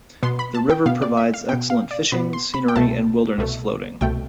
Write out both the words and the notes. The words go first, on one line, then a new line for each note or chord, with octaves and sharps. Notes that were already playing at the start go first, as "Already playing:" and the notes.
The river provides excellent fishing, scenery, and wilderness floating.
B2 B3 C6
B5
A5
G5
B2 B3 F5
D5
E5
F5
B2 B3 G5
F5
D5
B2 B3 B5
C6
B5
G5
C2 B2 A3 A5
C2 B2 A3
C2 B2 A3 G5